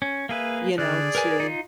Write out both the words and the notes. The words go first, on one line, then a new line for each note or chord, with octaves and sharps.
you know, to
C#4
A#3 G#4 B4 E5 F5
D3 G#4 D5 F6 F#6
A#4 B4 G#5
D#4 F4